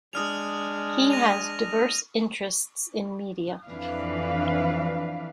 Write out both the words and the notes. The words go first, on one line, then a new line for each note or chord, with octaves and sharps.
He has diverse interests in media.
G#3 D4 D#6 F6 F7
A#6 D#7 F7
F2 E3 D4 B4 F5